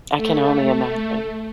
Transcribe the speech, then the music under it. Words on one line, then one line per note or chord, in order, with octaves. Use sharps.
I can only imagine.
A3